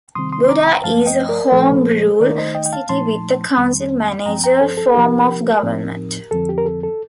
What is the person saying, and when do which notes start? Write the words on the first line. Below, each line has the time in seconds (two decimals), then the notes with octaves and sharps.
Buda is a home rule city with a council-manager form of government.
0.15 C3 D#3 G3 C4 C6 D#6
0.32 C6 D#6
0.44 C6
0.49 A#5 D6
0.66 G5 A#5
0.84 G2 F3 A3 F5 A5
1.06 D#5 G5
1.29 A#4 D5
1.52 A#2 F3 A3 A4 C5
2.20 D#3 A3 D#4 A#4 D5
2.38 C5 D#5
2.55 D#5 G5
2.66 G5
2.73 F5 A5
2.89 A#2 F3 A3 D#4 A5 C6
3.57 F2 D#3 G3 C4
4.26 G2 F3 C4 G5 A#5
4.44 G5 A#5
4.60 A4 C5
4.77 A4
4.94 C3 F3 A#3 D#4 G4 A#4
5.63 A2 F3 C4 D#4
6.31 F2 D3 F3 C4 A4
6.49 G4
6.58 A#4
6.66 A4
6.83 A4